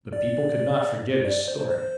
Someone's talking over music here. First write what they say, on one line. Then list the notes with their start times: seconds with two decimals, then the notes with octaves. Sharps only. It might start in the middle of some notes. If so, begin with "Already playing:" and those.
But people could not forget his story.
0.13 D5
1.25 D5
1.48 C5
1.70 C5